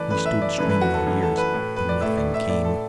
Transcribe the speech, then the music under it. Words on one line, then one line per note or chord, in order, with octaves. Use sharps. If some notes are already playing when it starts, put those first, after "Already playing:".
We stood straining our ears, but nothing came.
Already playing: F#2 E3 A3 A4 B4 D5
F#2 E3 A3 B4
E5
D5
F#2 E3 A3 B4
B4
F#4
A4
F#2 E3 A3
A4
B4
A2 A3
B4
D5
A2 A3 E5
D5
E5
A2 A3 D5
A4